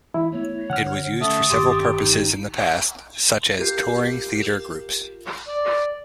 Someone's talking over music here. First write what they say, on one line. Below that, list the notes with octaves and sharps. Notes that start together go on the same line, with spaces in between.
It was used for several purposes in the past, such as touring theater groups.
E3 E4
A3 B3 C#5
D3 F#5 F6
D3 A3 C4 C#4 D#6
G1 D#3 C#4 G4 C6 D6 A6
D#4
F4 G4 A#4 G6 C7
D5